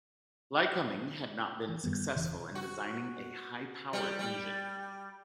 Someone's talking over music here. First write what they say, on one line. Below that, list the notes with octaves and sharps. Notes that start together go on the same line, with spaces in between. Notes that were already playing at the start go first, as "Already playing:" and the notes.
Lycoming had not been successful in designing a high-power engine.
E3
G2 D#3 G3 B3
E1 C#3 E3
F#4
G3
G3